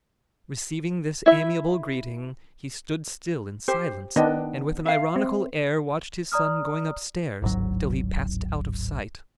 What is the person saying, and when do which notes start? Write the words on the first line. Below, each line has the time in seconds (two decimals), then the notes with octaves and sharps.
Receiving this amiable greeting, he stood still in silence and with an ironical air watched his son going upstairs, till he passed out of sight.
1.26 E4 E5
3.68 G4 C5
4.16 D#3 B3 D4 D#5 G5
4.86 E5 F5
5.16 C4
6.32 D5 A#5 D#6 F6
7.42 D1 G#1 G#2 F#3